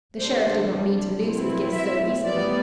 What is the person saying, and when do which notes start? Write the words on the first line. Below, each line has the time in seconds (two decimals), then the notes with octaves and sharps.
The Sheriff did not mean to lose his gifts so easily.
0.20 C3 G3 D4 C5
1.22 B2 F#3 C4 E4
1.74 E5
2.24 A2 G3 B3 D5